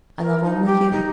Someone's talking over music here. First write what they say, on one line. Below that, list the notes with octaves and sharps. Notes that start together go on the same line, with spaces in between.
I love only you.
A#4
D#4
G4
D#4